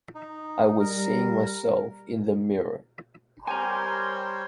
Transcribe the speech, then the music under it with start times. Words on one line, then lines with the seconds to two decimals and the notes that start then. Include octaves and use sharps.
I was seeing myself in the mirror.
0.15 D#4
0.80 G3 A#4
3.47 G3 G4 A#4 C5 C#5 G#5 A#5 C6